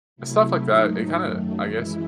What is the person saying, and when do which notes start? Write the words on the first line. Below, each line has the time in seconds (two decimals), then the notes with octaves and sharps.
stuff like that, it kinda, I guess,
0.16 C3 F#3 A3 E4
0.67 G#2 F#3 A3 D#4
1.18 F#2 D#3 F#3 A3
1.70 F#2 E3 G#3 E4